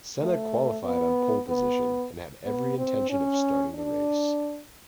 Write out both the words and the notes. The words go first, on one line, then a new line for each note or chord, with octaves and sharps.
Senna qualified on pole position, and had every intention of starting the race.
A3
B3
B3
B3
C4
C#4
D4